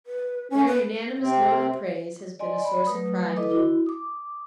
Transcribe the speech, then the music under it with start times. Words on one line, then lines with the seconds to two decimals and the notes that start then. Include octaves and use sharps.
Their unanimous note of praise has been a source of pride to him.
0.06 B4
0.50 C#4
0.67 B4
1.19 C3 C4
2.39 D5 D#5 G#5 C6
2.62 D5 B5
2.87 F#3 A3 B4 D#6
3.37 E4 A4 B4 D#5 D6
3.51 E4 F#4
3.86 D6 D#6